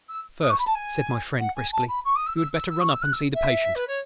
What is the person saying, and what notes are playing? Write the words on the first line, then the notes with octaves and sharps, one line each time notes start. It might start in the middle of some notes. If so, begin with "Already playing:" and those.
"First," said my friend briskly, "you had better run up and see the patient."
E6
D#6
C#6
B5
A5
G#5
F#5
G#5
A5
B5
C#6
D#6
E6
E6
E6
E6
C#6
E6
F#6
E6
E5
B4
C#5